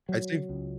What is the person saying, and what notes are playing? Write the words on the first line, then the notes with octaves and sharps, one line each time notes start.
I'd say
F#3
C#2